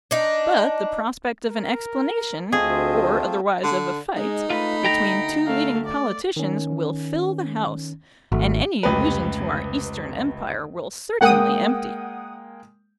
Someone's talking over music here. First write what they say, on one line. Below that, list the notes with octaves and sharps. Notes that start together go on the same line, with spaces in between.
But the prospect of an explanation,--or otherwise of a fight,--between two leading politicians will fill the House; and any allusion to our Eastern Empire will certainly empty it.
D4 D#4
A#4
D2 A3 C4 F4 G#4 D#5
D3
G#3 D#4
A3 F4 B4 B5
D2 G5 A#5
A3 F5
D5
D#3 C#4
G#1 A3 F#4
F1 C#2 G4 B4
G#3 A#3 F#5 G5 D#6